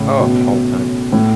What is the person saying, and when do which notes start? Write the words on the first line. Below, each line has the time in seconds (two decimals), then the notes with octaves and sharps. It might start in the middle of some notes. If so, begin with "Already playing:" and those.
Oh, all the time.
Already playing: A2 C#3
0.21 B2
1.12 A2